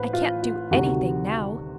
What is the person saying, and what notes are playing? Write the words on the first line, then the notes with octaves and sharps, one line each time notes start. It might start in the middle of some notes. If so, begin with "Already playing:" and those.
"I can't do--anything, now."
Already playing: A1 A2 B4 C5
F4
F4
D2 C3 D#3 G3 F#4